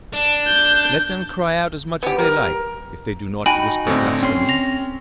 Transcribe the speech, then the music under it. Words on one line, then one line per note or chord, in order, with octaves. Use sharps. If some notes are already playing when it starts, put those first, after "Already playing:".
"Let them cry out as much as they like if they do not whisper blasphemy."
D4
G6
B3 G4
G3 A#4
D#4 F#4 G5 G#5 B5
A2 D3 C4
C4 C#4 C6
A#6 F7